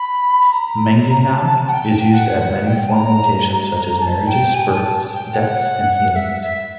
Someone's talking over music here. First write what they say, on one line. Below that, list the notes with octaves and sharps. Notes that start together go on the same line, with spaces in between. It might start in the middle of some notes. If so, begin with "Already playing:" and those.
Menginang is used at many formal occasions such as marriages, births, deaths, and healings.
Already playing: B5
A#5
A5
F#5
G5
F#5
F#5
G5
A#5
A#5
A5
G5
G#5
A5
G5
F#5
E5
E5